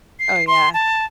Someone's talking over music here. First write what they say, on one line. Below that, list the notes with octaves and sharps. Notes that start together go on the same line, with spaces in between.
Oh, yeah.
C7
C6
A5